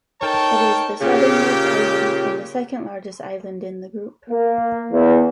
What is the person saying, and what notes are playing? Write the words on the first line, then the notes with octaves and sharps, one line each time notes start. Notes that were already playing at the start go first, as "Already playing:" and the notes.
It is the southernmost island and the second largest island in the group.
D#4 A4 A#4 C#5 G5 A5
A#2 C#3 G4
A#3
E2